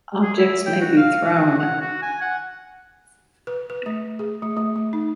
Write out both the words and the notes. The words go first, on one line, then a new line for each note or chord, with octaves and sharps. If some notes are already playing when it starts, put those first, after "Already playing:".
Objects may be thrown.
G#4
E4
G5
F#4
F5
F#4
F#5
F#4
G#5
F#5
B4
B4
A3
G#4
A3
A3
A3
D#4